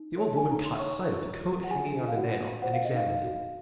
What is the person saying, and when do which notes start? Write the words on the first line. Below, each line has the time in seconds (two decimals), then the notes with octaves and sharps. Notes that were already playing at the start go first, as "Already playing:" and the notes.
The old woman caught sight of the coat hanging on a nail, and examined it.
Already playing: D#4
0.18 C#5
0.37 G#5
0.48 D#4 A#5
0.65 C6
0.79 C#5 C#6
1.10 F4
1.40 F4
1.64 F#5
1.71 F4 G#4 G#5
2.01 F4
2.08 F5
2.16 F#4 F#5
2.32 F4
2.62 C5 F#5
2.73 F5
2.85 D#5
2.93 D#4 F5
3.08 F5
3.24 F#4